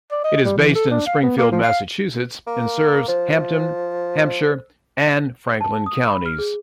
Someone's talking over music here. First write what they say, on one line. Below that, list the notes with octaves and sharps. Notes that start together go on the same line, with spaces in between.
It is based in Springfield, Massachusetts and serves Hampden, Hampshire, and Franklin counties.
D5
D#5
G3
E3
A4
D4
F5
B3
A#3
F3
F5
A#3
F3 C5
A5
D#6
B5
F6
G#4